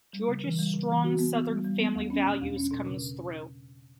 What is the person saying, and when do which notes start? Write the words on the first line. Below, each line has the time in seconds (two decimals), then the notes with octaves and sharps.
George's strong Southern family values come through.
0.13 G3
0.28 C#3
0.44 E3
0.59 G3
0.74 C#3
0.89 E3
1.04 F#4
1.19 B3
1.35 B3
1.50 G3
1.65 G3
1.80 B3
1.95 E2
2.10 C#4
2.25 B2
2.41 E2
2.56 C#4
2.71 B2
2.87 C#3